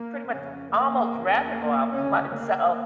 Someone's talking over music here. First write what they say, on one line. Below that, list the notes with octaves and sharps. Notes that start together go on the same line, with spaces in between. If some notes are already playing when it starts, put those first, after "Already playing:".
pretty much almost rather go out by myself.
Already playing: A#3
F2 C#3 C#4
A#3
E2 C#3
A#3
D2 C#3 C#4
A#3